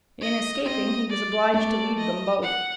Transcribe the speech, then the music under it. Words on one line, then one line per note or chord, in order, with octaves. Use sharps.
In escaping, he was obliged to leave them both.
D#5
C4 D#5
D5
A3 D5
D#5
F#5